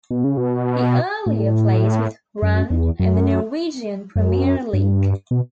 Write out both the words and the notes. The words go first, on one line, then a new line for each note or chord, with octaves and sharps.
He earlier played with Brann in the Norwegian Premier League.
B2
C#3
B2
A2
F#2
E2
F#2
F#2
G2
B2